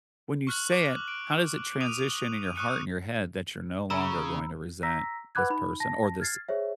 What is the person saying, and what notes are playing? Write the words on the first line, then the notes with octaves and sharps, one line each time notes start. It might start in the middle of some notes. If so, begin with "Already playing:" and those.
When you say it, how does it transition in your heart and your head that you're no longer going to resent this person or this
C#6 F6 F#6 F#7
D6
D7
D6 D#6 D#7 F7
C#6 D#6 F6 F#6 C#7 D#7
C#3 A#5 B5 E6
A#5 E6 A#6 B6
B4 F#5 B5 D6 F#6 G#6
D#4 B5
A5 A#6
F6 G#6 A6 C7
G#4 C5 C#5 E5